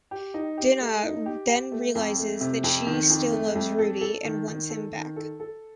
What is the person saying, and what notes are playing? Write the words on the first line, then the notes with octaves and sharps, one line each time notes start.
Dinah then realizes that she still loves Rudy and wants him back.
G4
D#4
G4
A3
D#4
G4
G4
A3
F2
A3
C3
F2
D#3
F2
A3
F2
A4
A4
D#3
D#3
A4
D#3
A4
A4